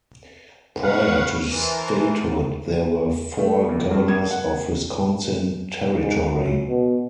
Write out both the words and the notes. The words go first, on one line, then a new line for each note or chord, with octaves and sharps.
Prior to statehood, there were four Governors of Wisconsin Territory.
C#4 B4 F5 F#5 C#6
E3 A#4 C5 A5
A3
F2
G2
G#6
F#5
G#2
F#2
B2